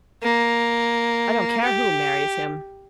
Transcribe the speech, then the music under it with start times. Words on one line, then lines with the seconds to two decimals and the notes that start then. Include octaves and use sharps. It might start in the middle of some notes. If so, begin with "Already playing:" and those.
I don't care who marries him.
0.23 A#3
1.64 G4